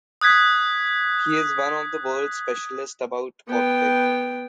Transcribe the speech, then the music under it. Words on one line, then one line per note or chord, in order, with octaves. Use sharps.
He is one of the world specialists about Coptic.
D#6 F#6 G#6 B6
B3 G5